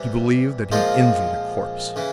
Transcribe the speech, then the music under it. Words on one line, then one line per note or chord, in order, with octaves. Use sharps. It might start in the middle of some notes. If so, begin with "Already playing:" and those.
He believed that he envied a corpse.
Already playing: C3 E3 G3
A#2 F3 G#3 C4 F4
C#3 E3